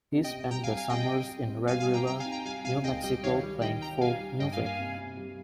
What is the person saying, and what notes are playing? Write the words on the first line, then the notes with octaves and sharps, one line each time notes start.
He spent the summers in Red River, New Mexico playing folk music.
C3
D#5 G5
C3
G3 G5 A#5
F5 G#5
G3
F5 G#5
C3 D#5 G5
G3
G3
C4
G3 F5 G#5
F5 G#5
G3
G5 A#5
C3 G5 A#5
F5 G#5
D#4
G5 A#5
G3 F5 G#5
C3 F5 G#5
C#2 D#5 G5
G3 D#5 G5
D#3 C#5 F5
G3
D#3 D#5 G5
D#4 G5 A#5
G3 F5 G#5
G3
G2 D#5 G5
F5 G#5
A#3
F5 G#5
C3
C3
G3